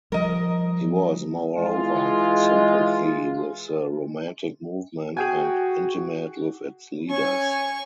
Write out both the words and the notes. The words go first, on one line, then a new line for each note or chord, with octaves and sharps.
He was, moreover, in sympathy with the Romantic movement, and intimate with its leaders.
F3 G3 A#4 D#5
E3 G#3 F4
F#4 G#4 G5 G#5
C#4 C#5 E5 G#5 C#6